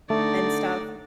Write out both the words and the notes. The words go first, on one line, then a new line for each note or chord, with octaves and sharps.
and stuff,
D3 A3 D#4 D5